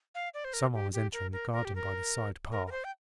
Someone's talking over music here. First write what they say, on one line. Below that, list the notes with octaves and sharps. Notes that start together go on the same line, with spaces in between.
Someone was entering the garden by the side path.
F5
D5
C5
A#4
G4
G4
A#4
A#4
A#4
G4
A#4
A#4
A#4
C5
G5